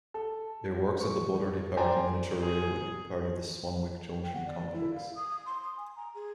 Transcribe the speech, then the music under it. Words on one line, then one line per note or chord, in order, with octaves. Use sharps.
It works at the Butterley Park Miniature Railway, part of the Swanwick Junction complex.
A4
C#6
C5 D5 G5 G#5 A#5
G#4
G5
F#5
D5
E4
F5
D#6
D#6
C6
D#6
G#5
A#5
G#4